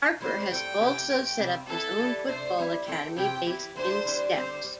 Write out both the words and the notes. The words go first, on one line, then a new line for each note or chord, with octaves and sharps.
Harper has also set up his own football academy based in Stepps.
E3 G3 C4 C5
A2 G3 C4 A4 G5
C3 E3 A3 C4 G4
A2 A3 C4 G4
C3 G3 C4
E3 C4 E4 A4
E3 G3 E4 G4
C3 A3 D4 C5
G3 C4 E4
E3 C4 A4 G5
C3 E3 C4 G4 G5
E3 C4 E4 G4
E3 A3 D4 G4 C5
E3 G3 D4 G4
D3 G3 C4 G4 C5
G3